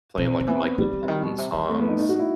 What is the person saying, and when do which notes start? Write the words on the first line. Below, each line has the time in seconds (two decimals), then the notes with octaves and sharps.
playing, like, Michael Bolton songs.
0.18 B2 C4
0.40 D#3
0.47 E3 B3
0.78 E3 G3
0.93 E3
1.02 C3
1.08 D#3
1.23 B2
1.38 C3
1.54 D#3
1.69 C3 A3
1.79 B3
1.88 D#4
1.99 A2 D#4
2.09 F#4
2.19 E4